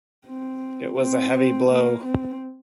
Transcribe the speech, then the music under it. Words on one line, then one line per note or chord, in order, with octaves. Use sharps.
It was a heavy blow.
C4
C4
A#3
C4